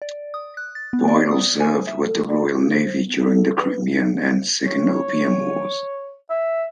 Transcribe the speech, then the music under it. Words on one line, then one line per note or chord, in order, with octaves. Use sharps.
Boyle served with the Royal Navy during the Crimean and Second Opium Wars.
D5
D#6
F#6
A6
B3
D5
D#6
G#5
E5
A4
D5
F#4
C5
B3
A4
B4
D#4
B3
C#5
E5